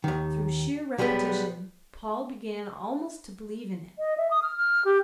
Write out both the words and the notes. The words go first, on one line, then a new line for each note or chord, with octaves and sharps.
Through sheer repetition, Paul began almost to believe in it.
D#2 D#3
B1 G3 G#3 B3 B4
D#5
E5
D#6
F6
F6
G4